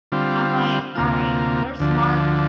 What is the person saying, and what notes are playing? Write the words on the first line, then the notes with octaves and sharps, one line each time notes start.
I'm like, "All right, they're smart
D3 G3 C4 F4
D2 C3 A#3 F4
D2 D3 F3